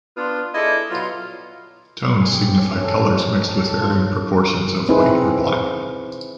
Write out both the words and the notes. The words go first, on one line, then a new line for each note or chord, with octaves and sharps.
Tones signify colors mixed with varying proportions of white or black.
B3 D4 F4
E4 G#4 A4 D5 D#5
F#3 B3 F4
G#5
G4
C4
C#4
C#4
A4
A#5
D#4
C#5
A5
A4
F4
C4 D#4 E4 G#4 B4 C5